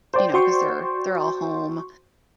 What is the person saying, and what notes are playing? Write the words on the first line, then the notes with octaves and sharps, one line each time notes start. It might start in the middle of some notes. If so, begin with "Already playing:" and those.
you know, 'cause they're they're all home,
C5 D5 G5
F#4 C6 C#6